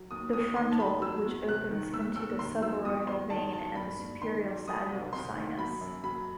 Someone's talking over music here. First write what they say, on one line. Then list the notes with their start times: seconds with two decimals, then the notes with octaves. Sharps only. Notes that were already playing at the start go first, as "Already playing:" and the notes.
The "frontal", which opens into the supraorbital vein and the superior sagittal sinus.
Already playing: F#3
0.11 D#2 D#6
0.33 D#2 D#6
0.56 D#3 C6
0.72 A5
0.80 F#3 B5
1.02 F#3 E6
1.25 E2
1.48 C3 F#6
1.70 D#3
1.93 D#2 E6
2.16 D#2 E6
2.39 D#3 C6
2.62 F#3 E6
2.85 E2 D#6
3.07 E2 C6
3.30 D#3 A5
3.53 F#3 A5
3.76 G2 B5
3.99 G2
4.22 D#3 C6
4.44 F#3
4.68 F#3 D#6
4.91 C2
5.13 C3 C6
5.36 D#3
5.58 F#3 B5
5.81 F#2
6.04 F#3 B5